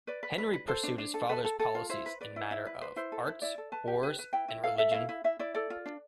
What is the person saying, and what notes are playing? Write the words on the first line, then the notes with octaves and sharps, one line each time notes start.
Henry pursued his father's policies in matter of arts, wars and religion.
B4 D5
B4
B4
B4
A4 C5
D4
D4
A4
A4 B4
A4
A4
F4
E4 C5
B4
B4 D5
E4
E4
B4
B4 C5
E4 C5
A4
E4
E4 D5
A4
B4 A5
G4
B4
B4
E4 G5
E4
A4 F5
A4 E5
E4 F5
E4
E4 E5
E4 D5
A4 D5
F4
D4